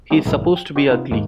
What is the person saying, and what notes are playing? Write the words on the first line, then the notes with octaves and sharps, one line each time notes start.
He's supposed to be ugly.
G3 A3 B3 C#4 D#4 G4
B1 G#2 D#3 D#4 E4
G5
F#4 G4 C5 D#5
C3 B3 D#4 F4
D#2 G#2 G#3 A#3